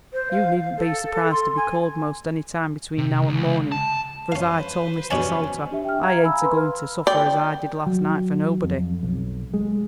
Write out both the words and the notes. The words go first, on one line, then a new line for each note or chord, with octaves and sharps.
"You needn't be surprised to be called most any time between now an' mornin'; for, as I told Mr. Salter, I ain't a-goin' to suffer as I did last night for nobody."
C5
F5
A4
C6
G#5
C3
C#2
A5
C#4 B4 C5 F5
B2 C#4 D4 A5
D4 G4 E5
G5 F6
E5 F5 A#5 G#6
F5 G#5 B5 E6
B4 B5 C6
F6
D5 G5
F#3
F2
B1
G#3